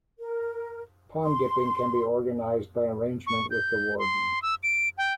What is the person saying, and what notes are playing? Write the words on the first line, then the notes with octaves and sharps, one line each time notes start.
Pond dipping can be organised by arrangement with the warden.
A#4
C6
C#6
G6
C6
E6
D7
G5